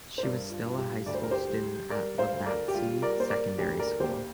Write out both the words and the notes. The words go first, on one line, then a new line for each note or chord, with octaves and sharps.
She was still a high school student at Lobatse Secondary School.
C5
G2 A#4 D5
F4
G2
G4
D2 D5
C5
A#4
G4 C5
G3
G3 A#4 D5
C5 F5
D2
A#4 D5
G4
G3 F4
A#4 D5
A#3 C5
A#4 D5
D2 G4
A#4 D5
A#3 G4 C5